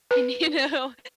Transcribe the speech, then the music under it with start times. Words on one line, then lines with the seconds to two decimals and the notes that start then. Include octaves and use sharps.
y you know
0.11 B4